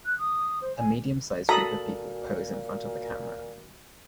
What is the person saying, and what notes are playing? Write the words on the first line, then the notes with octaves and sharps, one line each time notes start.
A medium sized group of people pose in front of the camera.
F#6
D#6
C5
G#5
A#2 F#4 A4 A#5 B5 D#6